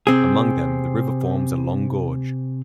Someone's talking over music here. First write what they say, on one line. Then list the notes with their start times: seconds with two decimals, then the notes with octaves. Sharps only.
Among them, the river forms a long gorge.
0.07 C3 C4 G#4